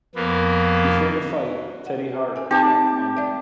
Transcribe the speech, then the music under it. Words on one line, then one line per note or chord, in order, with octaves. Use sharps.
Before the fight, Teddy Hart attacked London.
F2 A#3 B3
F#5
E5 G#5
C4 D#4 G4 G5 A5
D5 E5